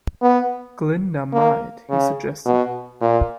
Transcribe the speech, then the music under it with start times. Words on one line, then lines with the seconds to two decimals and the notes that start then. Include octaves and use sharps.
"Glinda might," he suggested.
0.22 B3
1.33 A#3
1.90 C#3
2.45 B2
3.01 A#2